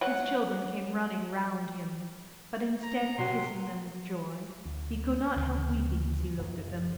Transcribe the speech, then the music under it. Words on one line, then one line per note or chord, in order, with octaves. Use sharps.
His children came running round him, but, instead of kissing them with joy, he could not help weeping as he looked at them.
F#3 F#5
A#5
C3 F#3 F#4 C6
D2
D2 C#3 E3
F1 F#2